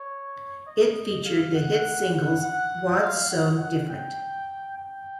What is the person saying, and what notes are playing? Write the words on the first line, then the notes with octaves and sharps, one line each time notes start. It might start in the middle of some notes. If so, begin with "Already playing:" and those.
It featured the hit singles What's So Different?
Already playing: C#5
D#5
F5
F#5
F#5
F#5
F5
F#5
F#5
G5
G5